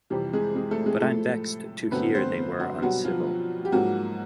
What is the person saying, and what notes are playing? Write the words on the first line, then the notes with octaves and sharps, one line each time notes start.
But I'm vexed to hear they were uncivil.
F2 C3 E3 G3 G4
G#3 G#4
G#3 G#4
A3 A4
G#3 G#4
A2 F3 A3 A4
G2 D3 F#3 A3 B3 C4 B4
C4 C5
F#3 F#4
B2 F#3 G3 B3 F#4
F3 F4
G4
G#2 F3 F#3 A#3 F#4